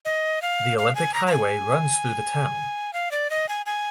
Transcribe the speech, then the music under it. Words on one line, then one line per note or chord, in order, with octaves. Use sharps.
The Olympic Highway runs though the town.
D#5
F5
F5
G#5
A#5
A#5
G#5
F5
D5
D#5
G#5
G#5